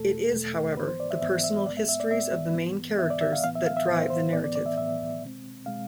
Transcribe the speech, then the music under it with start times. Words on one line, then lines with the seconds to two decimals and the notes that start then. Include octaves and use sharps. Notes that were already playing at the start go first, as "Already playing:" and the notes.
It is, however, the personal histories of the main characters that drive the narrative.
Already playing: E2 B2 A3 A4
0.32 E2 B2 A3
0.77 G#2 E3 B3 B4
0.88 C5
1.00 D5
1.11 E5
1.21 G#2 E3 B3 E5
1.44 E5
1.66 G#2 G#3 B3 D5
1.77 E5
1.89 E5
2.00 D5
2.10 G#2 G#3 B3 E5
2.55 G#2 E3 B3
2.99 G#2 E3 B3 E5
3.10 D5
3.21 E5
3.33 F5
3.44 A2 E3 B3 F5
3.55 E5
3.66 F5
3.77 E5
3.88 A2 E3 B3 C5
4.10 C5
4.32 A2 E3 B3 D5
4.44 D5
4.56 D5
4.66 E5
4.77 A2 E3 B3 E5
5.22 B2 G#3 C4
5.66 B2 G#3 C4 F5